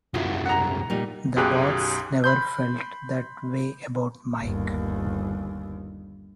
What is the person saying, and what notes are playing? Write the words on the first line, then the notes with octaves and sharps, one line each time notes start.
The bots never felt that way about Mike.
C2 F#2 E4 F4
F#5 A#5
A#2 G3 D#4
B1 F#2 G4 G#4 F#6
B5 C6 G6
G1 D#2